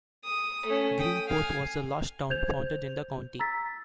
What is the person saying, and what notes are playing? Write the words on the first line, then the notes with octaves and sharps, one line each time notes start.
Greenport was the last town founded in the county.
D#6
A3 C#4
G5 D#6
F5 G#5
C5 G6 G#6 F7
A#5 E6 A6 B6